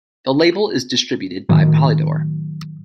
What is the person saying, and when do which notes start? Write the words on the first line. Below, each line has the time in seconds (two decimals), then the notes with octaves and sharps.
The label is distributed by Polydor.
1.49 A2 D#3 F#3